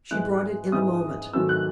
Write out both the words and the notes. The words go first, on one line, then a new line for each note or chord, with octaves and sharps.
She brought it in a moment.
G#2 E3 G#3 F#6
G#2 E3 G#3 D#6
G#2 D#3 F#3 A3 E6
F#6